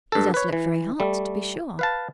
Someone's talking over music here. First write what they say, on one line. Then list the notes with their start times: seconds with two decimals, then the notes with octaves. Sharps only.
"He does look very hot, to be sure."
0.12 G2 A4
0.34 B4 C#5
0.53 E3
1.00 G3 A3
1.79 B4 F5 A5